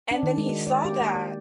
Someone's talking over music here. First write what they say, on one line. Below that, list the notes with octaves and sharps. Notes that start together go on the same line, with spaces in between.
And then he saw that
D4
D#3
G#3
F#4
D5
G4
A#3
D5